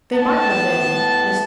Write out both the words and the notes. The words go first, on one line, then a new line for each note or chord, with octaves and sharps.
They might have been--Mrs.
A2 B3 A5